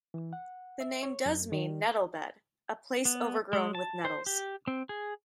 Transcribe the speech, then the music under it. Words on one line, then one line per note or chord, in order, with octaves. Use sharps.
The name does mean 'nettle-bed', a place overgrown with nettles.
E3
F#5
E5
C#5
F#2
D#3
B3
G#3
A5
C5
G4
C4
G#4